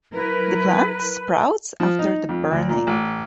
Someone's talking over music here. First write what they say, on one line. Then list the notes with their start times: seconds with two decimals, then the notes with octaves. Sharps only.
The plant sprouts again after burning.
0.13 F#3 E4 A#4 B4
1.80 F3
1.99 D#4
2.29 F2
2.51 D2
2.69 A#2
2.87 A1